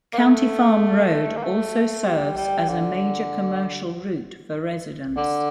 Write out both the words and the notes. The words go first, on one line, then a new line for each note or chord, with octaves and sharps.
County Farm Road also serves as a major commercial route for residents.
A#3
A3
A#3
A3
G3
G3
D3
D3